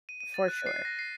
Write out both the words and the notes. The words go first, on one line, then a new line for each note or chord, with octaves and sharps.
For sure.
D#7
D#7
A6
F#6
C7
A#6
C7